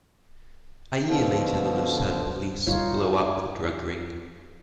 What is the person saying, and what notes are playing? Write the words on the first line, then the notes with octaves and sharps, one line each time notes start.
A year later the Lucerne police blow up the drug ring.
B2 D3 F3
G3 D#4 F4 C#5